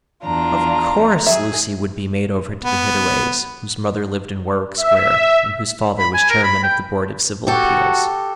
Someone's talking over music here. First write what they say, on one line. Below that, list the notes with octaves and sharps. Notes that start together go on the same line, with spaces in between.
Of course Lucy would be made over to the Hittaways, whose mother lived in Warwick Square, and whose father was Chairman of the Board of Civil Appeals.
E2 D4 F4 A#5
F#3 G#4 E5
B3
E5
B5
G#5
A#4
B5
G5
F#4 G4 A4